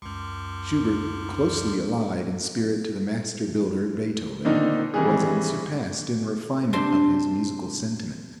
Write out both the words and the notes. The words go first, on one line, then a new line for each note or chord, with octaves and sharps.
Schubert, closely allied in spirit to the master-builder, Beethoven, was unsurpassed in the refinement of his musical sentiment.
C#2 F#2
A#2 D3 D#3 C4 D#4
C3 D#3 E3 G3 G#4
C3 D4 C5 A5 C6